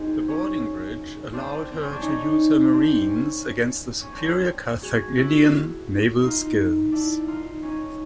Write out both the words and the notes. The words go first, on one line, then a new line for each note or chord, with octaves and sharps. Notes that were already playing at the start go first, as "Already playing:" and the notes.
The boarding-bridge allowed her to use her marines against the superior Carthaginian naval skills.
Already playing: C4 D#4 F#4 G#4 D#5
C#4
C4 D4
C4
C#4
D4
C#4 D#4
C4 D4
C#4
C#4
C4 D4
F#4 G#4
E4 F#4
D#4 F4
D4 E4
D#4 F4
C#4 D#4